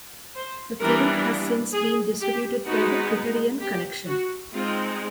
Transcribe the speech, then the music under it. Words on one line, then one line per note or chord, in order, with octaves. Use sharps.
The film has since been distributed by the Criterion Collection.
C5
E3 G3 B3 D4 A#4
G#4
G4
G#3 B3 D#4 F#4
G4
F#4
G#3 C4 D#4 F4